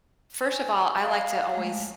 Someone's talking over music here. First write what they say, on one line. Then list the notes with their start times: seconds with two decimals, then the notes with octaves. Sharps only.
First of all, I like to always
0.50 G#5 C#6
1.02 D5 F5
1.54 G#3 A3